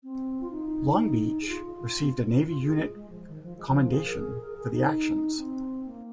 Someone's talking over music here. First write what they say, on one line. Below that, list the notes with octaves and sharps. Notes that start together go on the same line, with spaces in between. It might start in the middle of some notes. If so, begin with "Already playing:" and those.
"Long Beach" received a Navy Unit Commendation for the actions.
C4
F4
D#4
G#4
F4
F4
G#4
G#3
G#3
F3
D#3
F3
G#3
F3
G#4
A#4
G#4
A#4
G#4
D#4
C4
A#3